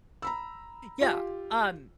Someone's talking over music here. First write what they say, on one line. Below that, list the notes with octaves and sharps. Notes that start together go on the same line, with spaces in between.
Yeah, um
A#5 B5 E6
F4 G4